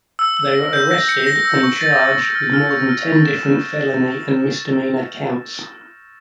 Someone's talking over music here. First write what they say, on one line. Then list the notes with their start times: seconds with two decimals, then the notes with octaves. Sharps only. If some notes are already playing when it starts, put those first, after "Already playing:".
They were arrested and charged with more than ten different felony and misdemeanor counts.
0.19 E6
0.37 E6
0.55 A#6
0.73 G6
0.91 A#6
1.09 C#7
1.27 A#6
1.45 E6
1.63 C#6
1.81 A6
1.99 F6
2.17 C#6
2.35 F6
2.53 F6
2.71 C#6
2.89 F6
3.07 A6
3.26 E7